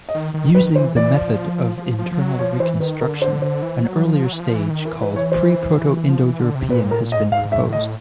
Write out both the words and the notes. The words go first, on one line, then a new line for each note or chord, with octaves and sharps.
Using the method of internal reconstruction an earlier stage, called Pre-Proto-Indo-European, has been proposed.
D#5
D#3
D#3
D#3 B4
E3 C5
E3 D5
F3
F3
F3
F3
F#3
F3 C#5
E3 C5
D#3 B4
D3 A#4
C5
C5
E3
F#3
F3
F#3
E3
F3
E3
D#3
E3 A#4
B4
C#5
C5
F3
E3
D3
C3
A#2 B4
A2 A#4
A#2
D#5
G#2
G#2 F5
E5
A2
D#5